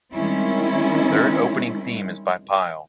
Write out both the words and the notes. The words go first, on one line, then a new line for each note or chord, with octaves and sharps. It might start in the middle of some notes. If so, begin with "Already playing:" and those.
The third opening theme is by Pile.
D#3 G3 G#3 C4 C#4 E4